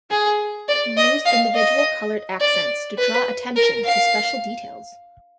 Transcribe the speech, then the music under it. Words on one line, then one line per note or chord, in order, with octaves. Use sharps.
He used individual coloured accents to draw attention to special details.
G#4
D5
D#5
F5
D#5
D5
B4
A#4
F5